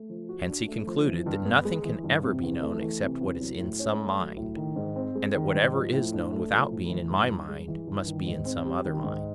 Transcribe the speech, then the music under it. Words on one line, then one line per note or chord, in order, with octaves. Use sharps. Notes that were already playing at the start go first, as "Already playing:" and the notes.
Hence he concluded that nothing can ever be known except what is in some mind, and that whatever is known without being in my mind must be in some other mind.
Already playing: A3
F3
F#4
D4
A3
F3
E3
G2
B3
G#3
E3
G2
C3
E2
A3
E3
C3
E2
F#3
A2
C#4
A3
F#3
A2
D#3
G#2
C4
G#3
D#3
G#2
F3
A2
D4
A3
F3
A2
E3
G2
G2
G#3
E3
G2
D#3
G#2
C4
G3
D#3
G#2